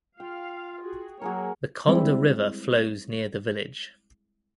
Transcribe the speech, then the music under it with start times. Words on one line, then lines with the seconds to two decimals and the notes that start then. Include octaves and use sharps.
The Konda River flows near the village.
0.20 F4 F5 G5
0.82 F#4 G#4
1.21 F#3 A#3 F#4 G#4 A#4 C#5
1.87 G3 G#3 C4 E4